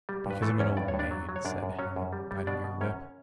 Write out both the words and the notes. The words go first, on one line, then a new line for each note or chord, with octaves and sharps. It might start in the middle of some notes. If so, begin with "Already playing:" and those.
"Because I'm an old maid," said Helen, biting her lip.
G3
G2 B4
E3 A3 A4
E2 C#4 C#5
G2 D5
C#5
G2
D4 D5
F#3
F#3
C#5
F#2 D4 D5
F#2
F#3 C#4 C#5
F#2
G3
G3
B2 D4 D5
B2
F#2 C#4 C#5